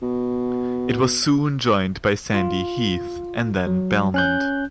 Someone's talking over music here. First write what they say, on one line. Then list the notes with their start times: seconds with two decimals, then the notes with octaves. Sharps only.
It was soon joined by Sandy Heath and then Belmont.
0.02 B2
2.34 F4
3.67 F#3
4.14 C#4 F#6 G6